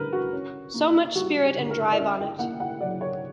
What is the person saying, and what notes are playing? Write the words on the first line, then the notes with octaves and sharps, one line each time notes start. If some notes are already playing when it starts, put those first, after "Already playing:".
So much spirit and drive on it.
Already playing: D3 G3 A#4 B4
F#4
C#4
A#3
G3 F#4
G4
D3
A#4
D5
C#4 E5
G5
A#3 F#5
F#5
F#3 D5
C#5